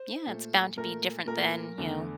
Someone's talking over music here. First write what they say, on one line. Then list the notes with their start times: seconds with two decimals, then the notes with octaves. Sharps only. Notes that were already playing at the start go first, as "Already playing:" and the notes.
Yeah, it's bound to be different than, you know,
Already playing: C5
0.27 A#2 A3
0.77 A#2 A3 A#4
1.27 A#2 A3 A#4
1.78 E2 D3 A3